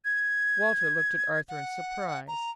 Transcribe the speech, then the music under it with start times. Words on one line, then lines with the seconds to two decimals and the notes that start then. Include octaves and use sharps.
Walter looked at Arthur in surprise.
0.05 G#6
1.49 F#5
2.28 A#5